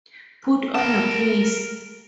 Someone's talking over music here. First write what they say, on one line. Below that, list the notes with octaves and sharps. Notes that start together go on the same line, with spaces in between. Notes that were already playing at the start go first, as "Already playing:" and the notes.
Put on your case.
A#4 A5